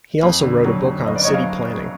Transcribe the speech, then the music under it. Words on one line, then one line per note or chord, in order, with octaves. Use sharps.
He also wrote a book on city planning.
F2
D3
F#3
F#3
F#1 D#5
D5
C#5 D#5
F#3
D#5 F5